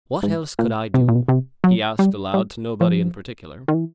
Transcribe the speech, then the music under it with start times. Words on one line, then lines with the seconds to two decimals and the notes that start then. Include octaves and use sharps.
"What else could I do?" he asked aloud to nobody in particular.
0.23 G#2
0.59 A#2
0.94 C3
1.01 B2
1.08 A#2
1.15 B2
1.28 C3
1.64 F#3
1.99 G3
2.34 G3
2.81 F3
3.68 D#3
3.74 E3